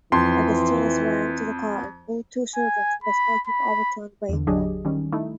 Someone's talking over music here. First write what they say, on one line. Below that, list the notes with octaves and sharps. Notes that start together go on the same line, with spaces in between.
Augustinus ran to the car and pulled two children from the smoking, overturned vehicle.
F2 E3 C6
G#5
B5
B5
E2 D3
G#1 F#3 D4 G4 G#4 D#5
D#3 G3 C#4
A3 D#4 E4